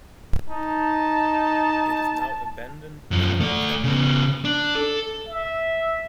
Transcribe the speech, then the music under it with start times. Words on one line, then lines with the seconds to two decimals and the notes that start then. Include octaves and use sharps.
It is now abandoned, and unkempt.
0.50 D#4 A5
3.11 F#2 F3
3.41 A3 D5
3.84 C#3 B3
4.45 D4
4.75 A4
5.27 E5